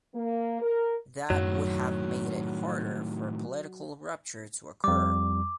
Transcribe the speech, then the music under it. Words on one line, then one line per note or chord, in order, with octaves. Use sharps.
That would have made it harder for a political rupture to occur.
A#3
A#4
F#2 A2 D#3 F#3
F2 G3 D6